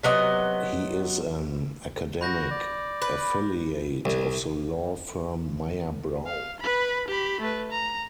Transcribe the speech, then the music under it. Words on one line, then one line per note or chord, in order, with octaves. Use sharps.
He is an academic affiliate of the law firm Mayer Brown.
C3 F#3 B3 D#5
F#4 B5 G6 A#6
D5
B4
C2
F5
B4 B5
G4 B5
A3 B4
A#5